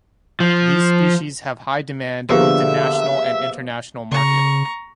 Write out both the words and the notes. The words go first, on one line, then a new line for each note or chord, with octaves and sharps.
These species have high demand both in National and International market.
F3
D3 F3 A#3 B3 G4 G#4 E5 F5
C#3 A#5 C#6